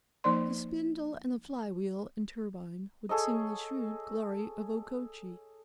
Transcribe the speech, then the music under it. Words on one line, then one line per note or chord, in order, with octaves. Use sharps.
The spindle and the flywheel and turbine would sing the shrewd glory of Okochee.
F3 A#3 D#4 C5 D5 C6
G#4 A4 C#5 D#5